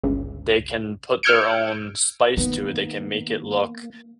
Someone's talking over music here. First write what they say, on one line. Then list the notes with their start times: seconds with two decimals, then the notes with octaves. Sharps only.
they can put their own spice to it, they can make it look
0.04 G1 C#2
1.23 E6 F6 G6 G#6 C#7 D7
2.37 D#3 A#3 B3 D#4